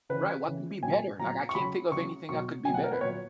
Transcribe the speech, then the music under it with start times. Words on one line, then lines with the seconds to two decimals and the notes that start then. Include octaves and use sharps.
Right, what could be better? Like, I can't think of anything that could be better.
0.09 C#3 E3 B4
0.45 C#3 E3
0.83 A#2 F#3 G#5
1.19 A#2 F#3 A#5
1.49 C#6
1.55 C#3 F#3 B5
1.92 C#3 F#3 C#6
2.29 B2 F#3 C#6
2.65 B2 G#5
2.68 F#3
2.74 F#5
2.84 A#4
2.93 B4
3.01 A#2 F#3 C#5